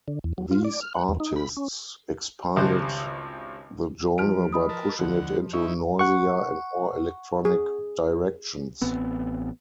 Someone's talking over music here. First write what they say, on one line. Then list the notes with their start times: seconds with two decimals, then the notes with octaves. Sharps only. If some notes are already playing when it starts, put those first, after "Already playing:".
These artists expanded the genre by pushing it into noisier and more electronic directions.
0.08 D3
0.24 E2
0.38 F#3
0.51 F4
0.65 D5
0.81 F6
0.94 F#5
1.08 E2
1.20 D#4
1.36 B5
1.57 C#4
2.56 G#1 C#2 G3 C5 A5 F#6
4.18 F3 F6 D7
4.53 D#5 B5 D#6
4.69 A#4 B4 A5
4.99 D2 F3 F#5
5.53 D#4 E4 C#6
5.99 F#5 C#6
7.45 G#4
8.82 A1 B3 C4